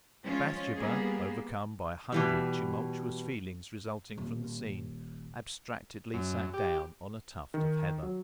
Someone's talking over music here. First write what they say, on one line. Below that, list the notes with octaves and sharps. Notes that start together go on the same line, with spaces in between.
Bathsheba, overcome by a hundred tumultuous feelings resulting from the scene, abstractedly sat down on a tuft of heather.
F3 G#3 C#4 F4
G3 A#3 B3 G#4
B2 E3 G3
D#1
F#2
G4
D#3
F#3